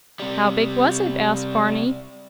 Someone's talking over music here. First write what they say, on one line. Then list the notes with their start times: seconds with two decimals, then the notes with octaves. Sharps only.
"How big was it?" asked Barney.
0.20 C3 G3